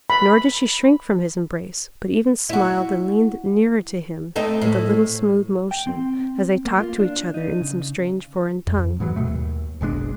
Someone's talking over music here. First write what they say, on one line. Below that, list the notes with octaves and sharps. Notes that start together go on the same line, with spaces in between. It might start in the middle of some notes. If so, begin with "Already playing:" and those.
Nor did she shrink from his embrace, but even smiled and leaned nearer to him with a little smooth motion, as they talked to each other in some strange, foreign tongue.
B5
E4 F#4
A3 C4 D#4
A2
G5
C4
A#3
F4
D4
D#4
C#3
F2
G#2 E3 F#3
D1 B2 A3
D#2
F#1 B1 G#3 D4